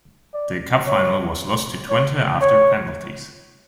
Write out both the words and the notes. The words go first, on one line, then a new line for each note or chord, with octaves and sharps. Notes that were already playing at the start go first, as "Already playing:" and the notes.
The cup final was lost to Twente after penalties.
D5
C#5
C#5
C#5